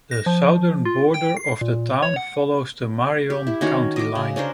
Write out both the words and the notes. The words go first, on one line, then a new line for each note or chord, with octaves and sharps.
The southern border of the town follows the Marion County line.
A#6
F3
F4
G5
C7
A#2
C#5
F#5
G4
E4
D#3 C#4 F#4 C#5
D#5 D6
C#3
C#4 D4 A#4 C5